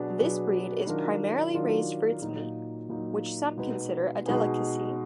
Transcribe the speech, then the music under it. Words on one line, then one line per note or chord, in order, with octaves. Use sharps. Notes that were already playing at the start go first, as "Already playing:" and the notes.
This breed is primarily raised for its meat, which some consider a delicacy.
Already playing: B2 F#3 D4 G#4 B4
B2 F#3 D4 G#4 B4
D#3 F#3 D4 F4 A#4
D#3 F#3 D4 F4 A#4
A#2 F#3 A#3 D#4
A#2 F#3 A#3 D#4
B2 G#3 D#4 G#4 B4
B2 G#3 D#4 G#4 B4